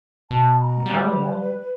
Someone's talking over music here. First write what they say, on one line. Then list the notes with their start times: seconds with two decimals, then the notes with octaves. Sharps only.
Oh, yeah.
0.31 B2 A5
0.61 A#5
0.86 G3
1.09 B4